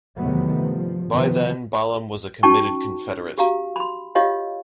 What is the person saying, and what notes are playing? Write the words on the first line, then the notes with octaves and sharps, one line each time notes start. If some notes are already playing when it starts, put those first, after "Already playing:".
By then, Ballam was a committed Confederate.
E2 C3 D#3 F#3 A3 B3
G2 F3
C3 D#3 F3 B3
C#4 D#4 F#4 G5 A5 C#6
F#4 G4 F5 A#5
B5 C6
F4 G4 C#5 D#5 F5